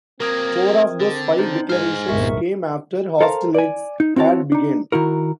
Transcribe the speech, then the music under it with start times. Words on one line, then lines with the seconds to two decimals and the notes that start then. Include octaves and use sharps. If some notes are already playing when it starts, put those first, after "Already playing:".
Four of those five declarations came after hostilities had begun.
0.20 F#3 A#3 C4 A#4 D#6 G#6
1.00 D3
1.38 D4 D#4 C5
1.69 G#2 C5 G#5 F6
2.09 G1 C2 A#2 A#4 E5 C#6
3.21 A4 A#4 C5 F5 A5 A#5
3.55 D5 G#5
4.00 D#4
4.16 C4 E4 F#4 C#5 A5
4.52 D4 D#4
4.92 D#3 E4 F#4 A#4